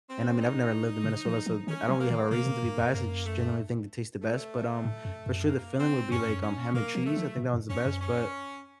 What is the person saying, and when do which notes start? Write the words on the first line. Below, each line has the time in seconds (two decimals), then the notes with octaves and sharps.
and, I mean, I've never lived in Minnesota, so th I don't really have a reason to be biased, I just generally think they taste the best, but, um, for sure, the filling would be like, um, ham and cheese, I think that one's the best, but
0.09 C4
0.40 D#4
1.04 C#3
1.25 F3
1.46 F3
1.67 D#3 C#4
1.88 F#3
1.99 A#3
2.10 D#3
2.30 C3 A#3
2.46 A#2
2.63 F#2
2.78 F2
2.94 F#2 A#3
3.26 A3
4.21 A3
4.85 A2
5.05 F#2
5.26 F#2
5.47 A#3
5.79 C4
6.11 F#2 C#4
6.20 A2
6.29 F#2
6.42 C#4
6.74 A#2 A#3
6.95 F3
7.06 A3
7.16 F3
7.37 A#2
7.53 F#2
7.69 F2 C#4
7.86 F#2
8.01 C#4